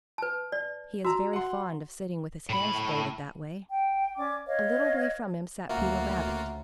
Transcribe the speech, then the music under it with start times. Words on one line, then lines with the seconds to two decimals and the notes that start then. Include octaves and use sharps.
He is very fond of sitting with his hands folded that way. A little way from him sat Peter Rabbit.
0.18 B4 A5
0.52 D5
1.05 F#4 A#5 E6
1.33 F#5 C6
2.49 A2 B5
3.68 G5
4.17 C#4 D5 D6
4.46 B4 C#5 D#5 F5
5.69 D2 C#3 A#3 F4 F#4 E5 F#5 A#5